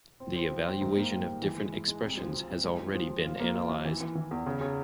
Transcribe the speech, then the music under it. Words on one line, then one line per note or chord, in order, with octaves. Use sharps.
The evaluation of different expressions has already been analysed.
C4
C4
F3
C4
G#2
A#3
G3
G#2
E3
G#3
E4
G#3
C2
F3
F3
C2
G#3
F3
F3
F3
F4
A#3
F4
F3
E3
E3
E3
E2
C#3
C#3